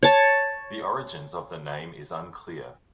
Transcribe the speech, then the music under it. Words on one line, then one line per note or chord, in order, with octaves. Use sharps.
The origins of the name is unclear.
C#5 A5